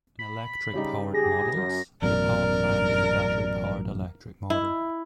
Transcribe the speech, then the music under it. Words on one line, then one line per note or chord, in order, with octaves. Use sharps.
In electric-powered models, the powerplant is a battery-powered electric motor.
B5
C#3 G3 D#4
G4 G#4 A#6
F#2
A1 F#2 B2 A#4 D5
E4